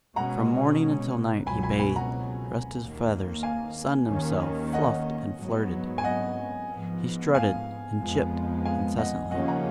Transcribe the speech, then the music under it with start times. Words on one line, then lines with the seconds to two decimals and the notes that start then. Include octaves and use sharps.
From morning until night he bathed, dressed his feathers, sunned himself, fluffed and flirted. He strutted and "chipped" incessantly.
0.16 B2 G#3 C#4 F#5 A#5
1.46 C#2 B2 F#3 G#5 B5
1.63 G#5 B5
1.79 G#5 B5
1.96 F#5 A#5
2.78 D#2 D#3 A#3
3.43 F5 G#5
4.08 D#2 D#3 A#3 C#4
4.73 D#5 F#5
5.39 G#2 F#3 B3
5.98 G#5
6.04 D#5 F#5
6.70 G#2 F3 B3
7.35 F5 G#5
8.00 F2 F3 G#3 B3
8.65 F5 G#5
8.98 D#5 F#5
9.31 D#2 C#3 F3 A#3 C#4 D#5 F#5
9.48 F#5 A#5